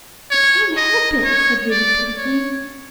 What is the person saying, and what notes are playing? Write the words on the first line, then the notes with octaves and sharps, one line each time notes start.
"I can't help it," said Ruby pitifully.
C#5
D#5
C#5
D5
C#5